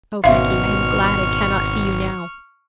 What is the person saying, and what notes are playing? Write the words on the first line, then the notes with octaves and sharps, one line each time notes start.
O Becky, I am glad I cannot see you now!'
G#1 B2 C#4 E5 F5 C6 C#6 F6